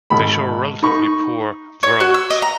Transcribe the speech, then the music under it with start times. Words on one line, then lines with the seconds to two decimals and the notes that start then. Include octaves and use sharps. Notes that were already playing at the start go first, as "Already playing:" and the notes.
They show a relatively poor virulence.
0.10 G#1 B5
0.83 D#4 B5 C#6
1.83 C#5
2.00 F#4
2.14 E6
2.30 D#5
2.42 A#5